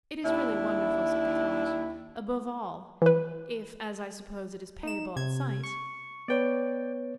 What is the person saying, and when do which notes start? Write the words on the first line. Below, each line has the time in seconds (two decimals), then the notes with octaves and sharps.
"It is really wonderful," said the count; "above all, if, as I suppose, it is payable at sight."
0.24 D#2 D4 E4
3.02 E3 B4
4.83 D#4 E7
5.16 C3 G#6
5.63 C#6
6.28 B3 B4 C#5 D5 G5